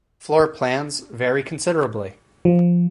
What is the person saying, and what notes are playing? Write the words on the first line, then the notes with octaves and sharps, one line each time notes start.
Floor plans vary considerably.
F3